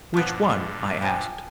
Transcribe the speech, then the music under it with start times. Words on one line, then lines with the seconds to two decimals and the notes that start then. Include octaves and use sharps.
"Which one?" I asked.
0.14 G2 A#2 F3 B3
1.02 F3 G5 G#5